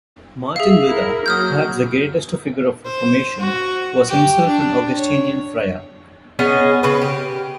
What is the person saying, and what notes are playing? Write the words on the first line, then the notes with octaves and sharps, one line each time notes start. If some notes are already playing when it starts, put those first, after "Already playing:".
Martin Luther, perhaps the greatest figure of the Reformation, was himself an Augustinian friar.
G#4 E5 F5
E4 A#4
F#3 A#3 D#6 F6 G6
C5
F#4
G4
D4
C#5
B3 C#4 G#4 D#5
C#3 B4
G4